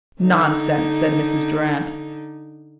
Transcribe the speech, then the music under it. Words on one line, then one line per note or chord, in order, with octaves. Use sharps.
"Nonsense," said Mrs. Durrant.
D3 D#4